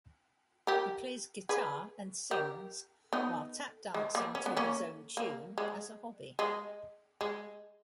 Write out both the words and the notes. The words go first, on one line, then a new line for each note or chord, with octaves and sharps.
He plays guitar and sings, while tap-dancing to his own tune as a hobby.
G4 A#4
G#4 B4
G4 A#4
B3 D#4
G#3
A#3
C#4
B3
A#3 C#4
A#3
G#3
G#3
G#3